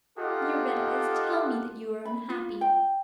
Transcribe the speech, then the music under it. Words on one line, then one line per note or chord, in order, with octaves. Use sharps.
Your red eyes tell me that you are unhappy.
D#4 F4 G4 A4 D#5 F#5
B5
F4
G5